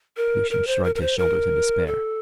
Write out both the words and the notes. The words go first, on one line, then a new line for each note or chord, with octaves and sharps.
Lucian shrugged his shoulders in despair.
A#4
A#4
C5
A#4
A#4
C5
A#4
A4